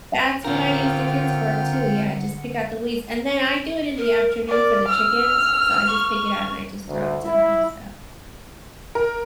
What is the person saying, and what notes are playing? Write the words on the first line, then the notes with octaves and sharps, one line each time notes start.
That's what I use the kids for too. Yeah, I just pick out the weeds and then I do it in the afternoon for the chickens, so I just pick it out and I just throw it to them, so
D3 C4 F4 A#4 F#5 G5 F6
A#4
A#4 D5
E6 F6
C#6
D2
E4
A#4